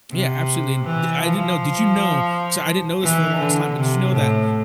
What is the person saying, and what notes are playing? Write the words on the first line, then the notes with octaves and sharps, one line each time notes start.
Yeah, absolutely, and the I didn't know, did you know 'cause I didn't know this for the longest time, but did you know that,
C3
E3
F3
E3
D3
C3
A2